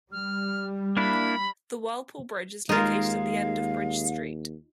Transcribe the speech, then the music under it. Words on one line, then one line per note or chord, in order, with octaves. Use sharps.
The Whirlpool Bridge is located at the end of Bridge Street.
G3 F6
A#3 D4 E4 B5
D#2 G#3 D#4 F4 A#4 F5